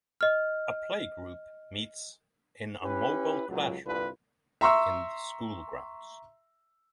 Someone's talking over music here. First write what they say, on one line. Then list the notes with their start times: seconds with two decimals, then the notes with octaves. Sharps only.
A Playgroup meets in a mobile classroom in the school grounds.
0.21 D#5 F6
2.83 C#4 E4 G4 B4
3.49 C#2 A#2 F#3
3.86 C2 G2 D3 F4 B4
4.61 E5 A#5 C6 C#6 E6